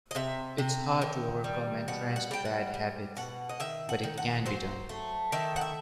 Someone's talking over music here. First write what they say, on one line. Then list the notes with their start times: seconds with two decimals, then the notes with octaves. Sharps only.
It's hard to overcome entrenched bad habits, but it can be done.
0.11 D#5
0.15 C3 E5
0.58 C3
1.01 D#3
1.44 G3
1.88 B2 F#5
2.16 F#5
2.31 G3 G5
2.45 F#5
2.74 G3
3.17 B2 F#5
3.49 D#5
3.60 D#3 E5
3.89 F#5
4.03 D#3
4.18 F#5
4.46 F#3 C5
4.89 A3
5.32 D#3 E5
5.56 F#5
5.61 E5